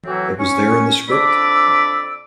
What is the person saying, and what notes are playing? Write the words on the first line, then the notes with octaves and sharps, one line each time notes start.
It was there in the script.
A2 E3 F#3 C4 E4 F#4
C#4 C#6
F2 D4 D5 B5 D6 E6